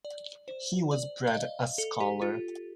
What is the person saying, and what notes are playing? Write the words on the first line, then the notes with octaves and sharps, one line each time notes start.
He was bred a scholar.
D5
C5
D5
F5
D#5
A4
G4
F4